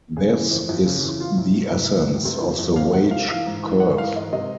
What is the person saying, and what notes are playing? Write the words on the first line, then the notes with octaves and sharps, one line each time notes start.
This is the essence of the wage curve.
C#3 G#4
E3
F2
F2
C#3
E3
B2 F4
C2
B2
C2 B4
B2
C2
C3
F3
F2
F2 F5
C3 F#5
F3 F5
E3 F5
G#2
E3
G#2 F#5
E3 F5
G#2 D#5
C3 D#5